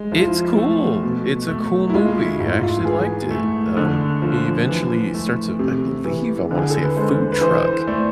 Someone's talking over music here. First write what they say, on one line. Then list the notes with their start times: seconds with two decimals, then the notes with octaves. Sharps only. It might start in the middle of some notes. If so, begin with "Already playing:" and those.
it's cool, it's a cool movie, I actually liked it. Um, he eventually starts a I believe, I wanna say a food truck.
Already playing: G#3
0.12 F3 E4
0.19 F4
0.28 E4
0.58 A3
1.03 B2
1.48 A3
1.90 E4
1.94 G#3 F4
2.18 E4
2.40 G#2 F4
2.63 F4
2.85 E3 G#4
3.31 A3
3.77 D3
4.22 F3
4.68 E3
5.14 A3
5.59 C3
6.05 E3
6.51 D3
6.57 G#4
6.70 A4
6.83 B4
6.96 G#3 C5
7.32 B4
7.41 E3 C5
7.87 A3 D5